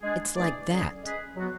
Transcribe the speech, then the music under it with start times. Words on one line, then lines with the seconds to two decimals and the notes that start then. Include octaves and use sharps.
It's like that.
0.02 G#3 D4 G#4
0.36 E3 A3 D4 G#4 D5
0.69 D3 F#3 C#4 G#4 D5
1.03 G#3 C#4 G#4 B4
1.36 F#3 B3 F#4